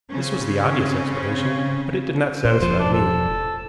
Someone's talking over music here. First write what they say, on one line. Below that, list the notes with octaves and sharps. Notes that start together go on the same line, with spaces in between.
This was the obvious explanation, but it did not satisfy me.
C#3 C4 C#4
A#2 C5
E1 F3 C5
D4
A4